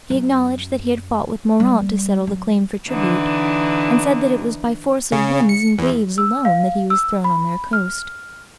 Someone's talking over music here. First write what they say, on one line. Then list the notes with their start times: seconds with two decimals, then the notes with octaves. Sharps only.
He acknowledged that he had fought with Moraunt to settle the claim for tribute, and said that it was by force of winds and waves alone that he was thrown on their coast.
0.10 F#2
1.60 G3
2.27 F#3
2.89 D3 E3 D#4
5.12 C#3
5.49 C#7
5.79 E2
6.18 E6
6.45 F5
6.90 E6
7.24 B5
7.73 F6